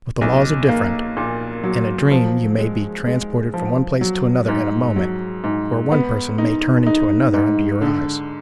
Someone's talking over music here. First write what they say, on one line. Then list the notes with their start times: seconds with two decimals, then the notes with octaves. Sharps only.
But the laws are different: in a dream you may be transported from one place to another in a moment, or one person may turn into another under your eyes.
0.21 B1
0.68 A#3
1.17 A#2
1.64 F#3
2.11 F3
2.58 G#3
3.06 G#3
3.54 F3
4.01 F#3
4.48 G#2
4.96 F#3
5.44 G#2
5.92 B3
6.38 D#4
6.86 D#4
7.34 G#2
7.81 D3